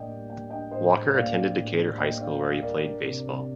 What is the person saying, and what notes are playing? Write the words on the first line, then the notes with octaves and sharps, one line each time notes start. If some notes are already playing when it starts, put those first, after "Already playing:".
Walker attended Decatur High School where he played baseball.
Already playing: A2 A#3 D4 D5 D#5 G5
G3
A#3 G5
D4 D#5 G5
A2 C5 D#5
G3
A#3 D5 F5
D4
A2
G3
A#3 D#5 G5
D4 D5 F5
A2 D5 F5
G3 A#4 D5
D4
C3
C3